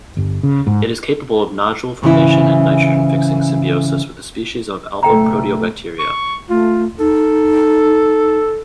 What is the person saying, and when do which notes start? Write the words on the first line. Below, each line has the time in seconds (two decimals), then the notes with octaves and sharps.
It is capable of nodule formation and nitrogen fixing symbiosis with species of alphaproteobacteria.
0.17 G1
0.43 C#3
0.67 G#2
2.02 G#2 C#3 E3 E4
5.03 F#1 B2 A3 A4 G5 A#5
5.99 C#6
6.50 A3 F4
7.00 D#4 A4